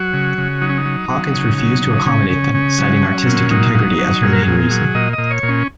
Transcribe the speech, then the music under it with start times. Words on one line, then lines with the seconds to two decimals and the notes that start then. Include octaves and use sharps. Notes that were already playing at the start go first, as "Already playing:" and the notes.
Hawkins refused to accommodate them, citing artistic integrity as her main reason.
Already playing: F#3 F#4
0.13 C#3
0.38 C#3
0.61 F#3 D#4
0.69 C#4
0.78 D#4
0.85 F#3
1.10 F#3
1.34 C#3
1.58 F#3
1.82 C#3
2.06 C#3 C#4
2.30 C#3
2.55 C#3
2.78 F#3
3.02 F#3
3.26 A#2
3.50 F#3 D#4
3.75 F#3
3.98 F#3
4.23 A#2 G#4
4.33 A#4
4.42 G#4
4.47 A#2
4.71 F#3
4.95 A#2 D#5
5.13 D#5
5.18 A#2
5.31 C#5
5.43 A#2
5.49 C#4